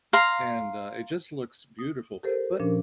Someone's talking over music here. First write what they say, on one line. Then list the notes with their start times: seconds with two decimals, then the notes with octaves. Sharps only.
and, uh, it just looks beautiful, but
0.13 F5 A#5 C6
1.79 D#6
2.23 G4 A4 A#4 C5
2.60 A#2 F3 C#4 D4 A#4